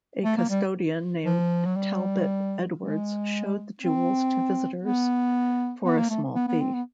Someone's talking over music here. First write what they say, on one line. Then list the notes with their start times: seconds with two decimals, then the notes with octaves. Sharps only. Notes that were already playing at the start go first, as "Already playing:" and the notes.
A custodian named Talbot Edwards showed the jewels to visitors for a small fee.
0.24 A3
0.37 A#3
0.50 G3
1.25 F3
1.66 F#3
1.76 G3
2.79 G#3
3.80 C4
4.82 B3
5.84 B3
5.97 A#3
6.10 A3
6.35 B3
6.48 B3
6.60 C4
6.74 B3